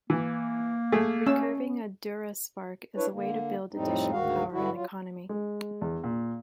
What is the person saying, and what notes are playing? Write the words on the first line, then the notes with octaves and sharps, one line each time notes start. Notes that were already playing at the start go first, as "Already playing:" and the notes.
Re-curving a Duraspark is a way to build additional power and economy.
E3 A#3
A3 G#4
C#4 E6
D4 E4 B4 C#5
D3 A#3
F2 A2 G3 C4 D#4
D2 G#2 D#3 F#4 F5
G2 D3 G3 E4 F#4
F#3 F4
G#3
E2
A#2